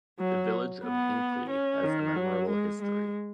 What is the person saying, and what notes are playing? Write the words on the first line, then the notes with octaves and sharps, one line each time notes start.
The Village of Hinckley has a memorable history.
F#3
B3
C#4
D#3
F#3
G#3
G#3